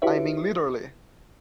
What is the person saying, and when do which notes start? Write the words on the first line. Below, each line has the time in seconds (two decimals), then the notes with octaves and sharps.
I mean literally.
0.02 E4 F#4 G4 B4 C#5 E5